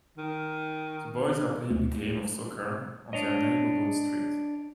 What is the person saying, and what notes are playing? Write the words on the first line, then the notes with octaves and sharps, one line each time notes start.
The boys are playing a game of soccer on their neighborhood street.
D#3
D2
D4 C#5 D#5